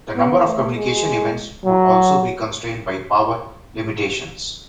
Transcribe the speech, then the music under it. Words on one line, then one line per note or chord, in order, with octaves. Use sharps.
The number of communication events would also be constrained by power limitations.
B3
A3
G#3
F#3